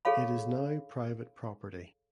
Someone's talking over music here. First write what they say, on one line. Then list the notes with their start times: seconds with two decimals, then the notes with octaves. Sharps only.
It is now private property.
0.05 G#4 A4 C#5 F5 B5